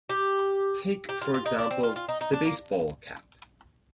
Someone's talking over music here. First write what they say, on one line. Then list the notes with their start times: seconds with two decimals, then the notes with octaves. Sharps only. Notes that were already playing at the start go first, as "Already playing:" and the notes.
Take for example, the baseball cap.
0.10 G4
1.09 G4
1.22 F4
1.34 F4
1.46 D#4
1.58 D4
1.71 C4
1.83 F4
1.96 F4
2.09 D#4
2.21 D#4
2.33 D4
2.45 A#3